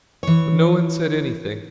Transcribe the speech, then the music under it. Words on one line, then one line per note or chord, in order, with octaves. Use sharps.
But no one said anything.
E3 C#5